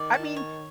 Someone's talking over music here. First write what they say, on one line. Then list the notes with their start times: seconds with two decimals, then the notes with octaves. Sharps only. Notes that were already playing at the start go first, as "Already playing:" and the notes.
I mean,
Already playing: D#3 D5
0.14 A5
0.36 C#5